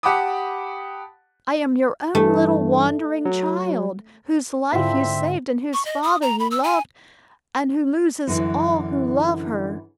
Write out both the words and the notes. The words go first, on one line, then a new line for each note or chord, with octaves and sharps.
I am your own little wandering child, whose life you saved, and whose father you loved, and who loses all who love her.
G4 F#5 A5 B5 D6 D#6
G2 E3 A3
F#3
G#2 D3 C4 E4 F4 E5
C#6
D#5
D#6
A#5
B5
E6
G#5
F#2 D3 E3 E4